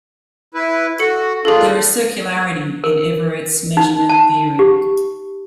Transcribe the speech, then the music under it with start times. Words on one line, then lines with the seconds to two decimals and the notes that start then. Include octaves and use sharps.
There is circularity in Everett's measurement theory.
0.55 E4 B4
0.99 F#4 A4 C#7
1.45 D#2 D4 F4 G#4 A4
2.84 A#4
3.77 D#4
4.09 A5
4.59 G4